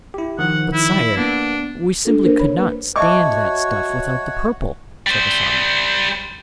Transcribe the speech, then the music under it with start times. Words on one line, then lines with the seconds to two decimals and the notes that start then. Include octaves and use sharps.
"But, Sire, we simply could not stand that stuff without the purple," said Asano.
0.14 E4 G4
0.39 D#3 F3 F#5
0.73 E4
1.17 A#3 B3 D4
2.05 A3 D4 F4 A4
2.24 A#3 D4 A#4 C5
2.39 C#5 B5
2.58 A#3 B4
2.96 F#4 C#5 D#5 E5 A5 C#6 D6
5.07 G3 C5